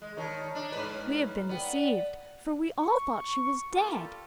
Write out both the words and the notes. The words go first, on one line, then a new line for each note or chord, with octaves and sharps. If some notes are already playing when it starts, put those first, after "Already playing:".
We have been deceived, for we all thought she was dead.'
G#3
D#3 C#5 A5 D#6
D4
G#2 B4
B3 D5 F#5 G5
C#6
G3 A#3 F4 G4 A4